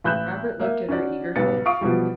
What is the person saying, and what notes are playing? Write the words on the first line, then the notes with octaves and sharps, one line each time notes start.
Robert looked at her eager face.
A1 B5 F#6 G6 E7
A#3 E5
C#4 D#4 F#4 D5
B1 G#2 G3 B3 A6 C#7
F5 C#6 D#6 D7
B2 E3 F3 G3